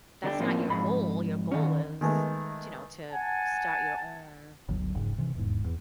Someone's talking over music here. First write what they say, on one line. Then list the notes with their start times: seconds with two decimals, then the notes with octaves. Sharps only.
that's not your goal. Your goal is, to know, to start your own
0.24 D3 D4 G4
0.40 A2 F3 A#3 C4 C#4
0.68 F2 G#2 B5
1.52 D#3 C#4
2.01 D#3 G#3 A3 B3
3.11 F#5 G#5 A5
4.68 G1 D2 F#3
4.94 F1 G#2 C#3
5.18 C3 E3
5.34 D#1 E2 G#2
5.64 E2